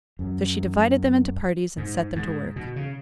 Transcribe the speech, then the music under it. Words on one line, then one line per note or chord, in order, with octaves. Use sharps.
So she divided them into parties and set them to work.
F#2
G#2
G#2
B2
C#3